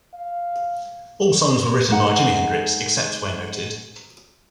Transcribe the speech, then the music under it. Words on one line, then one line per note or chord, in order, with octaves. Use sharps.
All songs were written by Jimi Hendrix, except where noted.
F5
G#3 D#4 F#5